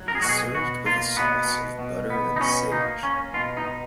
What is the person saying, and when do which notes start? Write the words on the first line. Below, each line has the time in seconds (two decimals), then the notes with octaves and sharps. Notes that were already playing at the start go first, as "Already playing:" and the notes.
It is served with a sauce of butter and sage.
Already playing: F#3
0.08 A#4
0.15 G#4
0.22 B2 F#4
0.29 G#4
0.54 B2 F#4
0.85 A#3 F4
1.16 B2 B3
1.48 B2
1.79 B2
2.10 B3
2.36 D#4
2.40 B2 C#4
2.71 A#3 D#4
3.02 A#3 C#4
3.33 B2 F4
3.57 D#4
3.65 B2